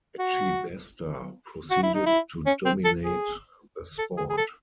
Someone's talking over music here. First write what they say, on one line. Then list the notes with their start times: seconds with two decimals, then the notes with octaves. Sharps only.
Etchebaster proceeded to dominate the sport.
0.19 F#4
1.70 F#4
1.83 E4
1.94 D#4
2.06 E4
2.46 C#4
2.66 C4
2.85 A4
3.04 G#4
3.98 A4
4.17 G#4
4.30 G#4
4.37 A4